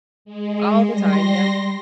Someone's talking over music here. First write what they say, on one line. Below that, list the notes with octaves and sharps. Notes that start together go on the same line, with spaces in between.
All the time, yep.
G#3
G3 C6 A#6